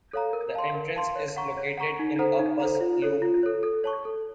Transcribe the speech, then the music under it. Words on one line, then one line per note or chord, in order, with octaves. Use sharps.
The entrance is located in a bus loop.
A4 C#5 F5 A#5
A#4
F5 A5 C6
A#4
F5 A5 C6
C#5
F#5 A#5 C#6
C#5
F#5 A#5 C#6
D#4
A4 C5 F#5 A#5
D#4
A4 C5 F#5 A#5
F4
A4 C#5
F4
A4 C#5
A4
C#5 A5 C#6
A4